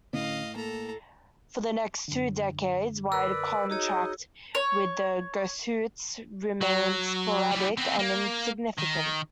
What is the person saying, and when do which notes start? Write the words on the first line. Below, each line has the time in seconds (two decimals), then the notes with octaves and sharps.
For the next two decades white contact with the Goshutes remained sporadic and insignificant.
0.13 A2 D3 C#4 D#5 F5
0.56 A#3 A4 A#5
2.08 F#2 D3
3.12 A#4 B4 D5 E6
3.70 D#4 F#4 G#4 C#5 D#5
4.55 C#5
6.61 F#3
7.51 E3 G3
7.77 B3 C4
7.99 A#3
8.78 D#3